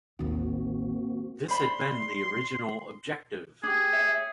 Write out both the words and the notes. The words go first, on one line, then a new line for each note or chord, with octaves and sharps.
This had been the original objective.
A1 D#2 D#3 A#3 C4 F#4
C5 D5 B5 C6
D4 G4 G#4
C#5 E5